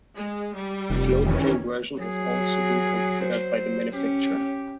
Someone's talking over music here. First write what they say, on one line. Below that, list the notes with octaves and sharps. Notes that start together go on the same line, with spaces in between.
A floatplane version has also been considered by the manufacturer.
G#3
G3
F1
D#3 E3 C#4
F#3 G#4
C5
C#4 G4